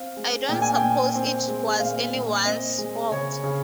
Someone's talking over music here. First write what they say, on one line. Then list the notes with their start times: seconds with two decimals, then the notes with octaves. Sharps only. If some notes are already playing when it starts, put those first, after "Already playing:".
I don't suppose it was anyone's fault.
Already playing: C4 F5
0.17 G#3
0.48 A#2 G5
0.62 G#5
0.75 G5
0.82 A#2
1.15 C4
1.48 G#3
1.80 A#2 F5
2.14 A#2
2.45 C4 D#5
2.78 G#3
3.11 C#3 C#5
3.44 C#3